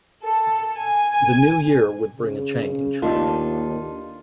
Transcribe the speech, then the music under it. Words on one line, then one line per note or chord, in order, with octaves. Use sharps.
The new year would bring a change.
A4
G#5
C#3
D#2 A3 D4 D#4 F4